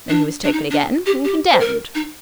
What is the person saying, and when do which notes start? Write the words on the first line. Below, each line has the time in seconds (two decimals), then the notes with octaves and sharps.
Then he was taken again, and condemned.
0.09 D4
0.44 D4
0.53 D#4
0.71 D4
1.06 G4
1.25 G4
1.52 C5
1.60 A#4
1.95 D#4